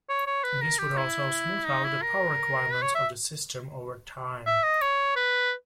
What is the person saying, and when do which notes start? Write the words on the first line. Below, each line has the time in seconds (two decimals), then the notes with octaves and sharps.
This would also smooth out the power requirements of the system over time.
0.09 C#5
0.27 C#5
0.44 B4
0.61 A#4
0.79 G4
0.97 E4
1.66 D#4
1.85 E4
2.02 A#4
2.72 B4
2.83 C#5
2.95 E5
4.46 E5
4.63 D#5
4.82 C#5
5.16 B4